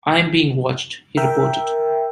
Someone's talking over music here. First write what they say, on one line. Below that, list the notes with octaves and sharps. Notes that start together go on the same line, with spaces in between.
"I'm being watched," he reported.
A#4 E5 G5